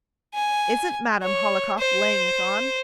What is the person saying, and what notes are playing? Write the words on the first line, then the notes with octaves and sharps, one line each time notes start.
"Isn't Madame Hohlakov laying it on?"
G#5
C#5
C5